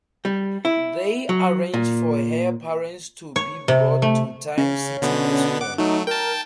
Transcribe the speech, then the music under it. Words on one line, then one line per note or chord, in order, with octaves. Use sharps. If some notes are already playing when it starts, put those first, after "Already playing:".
They arrange for her parents to be brought to Time City as well.
G3
E4
F#3
A#2
C#5
C3
A3
C#3 C#4
B2 D3 B3
F#5 D6
F#3 A3 D#4
A#4 G5 A5